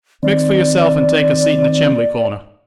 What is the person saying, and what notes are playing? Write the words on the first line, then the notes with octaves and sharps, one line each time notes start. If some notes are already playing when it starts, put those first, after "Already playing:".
Mix for yourself and take a seat in the chimbley-corner.
D#3 C4 D5